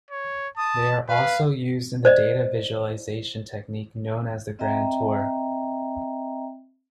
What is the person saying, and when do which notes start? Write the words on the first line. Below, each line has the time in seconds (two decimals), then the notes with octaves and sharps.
They are also used in the data-visualization technique known as the grand tour.
0.11 C#5
0.57 A5 D#6
1.09 B4 F5
2.05 C5 D5 D#5
4.59 C4 D#5 E5 G5 A#5